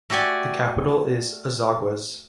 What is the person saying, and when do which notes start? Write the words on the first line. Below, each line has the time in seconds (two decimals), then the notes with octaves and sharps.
The capital is Azogues.
0.10 A3 F#4 G4 D5 G#5